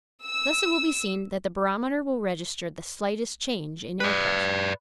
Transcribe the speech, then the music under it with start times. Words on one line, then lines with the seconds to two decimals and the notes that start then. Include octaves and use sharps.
Thus it will be seen that the barometer will register the slightest change in air pressure.
0.24 E6
4.00 B4 D5